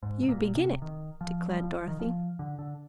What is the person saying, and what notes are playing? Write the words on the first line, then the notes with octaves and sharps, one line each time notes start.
"You began it," declared Dorothy.
G#2
C3
A#2
C3
D#3
F3
G3
F3
D#3
F3
D3
D3